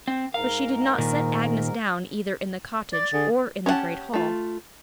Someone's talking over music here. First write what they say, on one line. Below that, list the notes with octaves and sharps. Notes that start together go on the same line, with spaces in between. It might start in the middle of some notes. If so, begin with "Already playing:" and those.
But she did not set Agnes down either in the cottage or in the great hall.
C4
G#2 A#4 F5
A#2 D#3
D5 A6
D3 G#4
C#4 G4 C5 F#5 A5
A3 F4